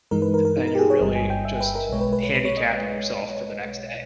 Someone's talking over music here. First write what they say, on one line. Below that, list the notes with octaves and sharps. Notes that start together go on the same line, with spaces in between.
then you're really just handicapping yourself for the next day.
G2 E3 G#3 D#4 A#4
B4
A#4
A#4
D#4
A#4
G4
G#4
C#5
G1 G2 G3 D#5
G#5
G5
E5
B4
A#4
B1 B2 G#3 C#5
B4
B4
B4
B4
C#5
D#5